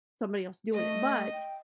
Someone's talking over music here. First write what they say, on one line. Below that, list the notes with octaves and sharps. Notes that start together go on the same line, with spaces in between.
somebody else doing it, but
A3 D#5
G5